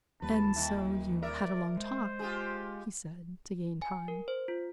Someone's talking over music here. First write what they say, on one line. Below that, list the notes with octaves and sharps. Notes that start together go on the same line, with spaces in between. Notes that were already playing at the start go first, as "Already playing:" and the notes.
"And so you had a long talk?" he said, to gain time.
D#2 G3 A#3 B4 A5
D#3 E4
A#4 D5 E5
G#3 C5
F4 G4 G#4
G#5
A#4
C5
F4